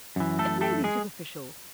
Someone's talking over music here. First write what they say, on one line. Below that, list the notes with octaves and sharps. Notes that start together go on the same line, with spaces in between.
'It may be superficial.
F#2 E3
A3 A4
A3 A4
G#3 G#4